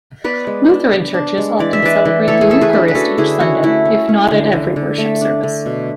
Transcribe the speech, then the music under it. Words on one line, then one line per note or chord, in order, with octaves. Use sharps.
Lutheran churches often celebrate the Eucharist each Sunday, if not at every worship service.
B3 B4 D5
G#3
D4
B3
D4
G#3
E3 D5
E5
E3 B4 D5
E3
A3 A4 C#5
G#4
A3 A4
G#4 B4
D4
B4
C#4 F#4 A4
D3 E4 G#4
C#4 F#4
A3 E4
C#4
C#4
D3
D3
D3
A3
D4
D3
B2